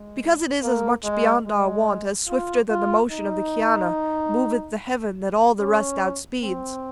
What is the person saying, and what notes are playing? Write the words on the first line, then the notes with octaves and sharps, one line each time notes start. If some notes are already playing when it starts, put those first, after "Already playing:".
Because it is as much beyond our wont, As swifter than the motion of the Chiana Moveth the heaven that all the rest outspeeds.
Already playing: G#3
A#3
G#3
G#3
F4
F4
D#4
C#4
C4